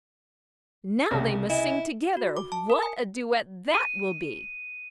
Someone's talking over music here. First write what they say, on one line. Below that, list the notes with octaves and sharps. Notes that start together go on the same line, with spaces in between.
"Now they must sing together: what a duet that will be!"
C2 C#3 G4
E4 D#5 G#5
F#4
D6
A5
A#4
G#5
D#7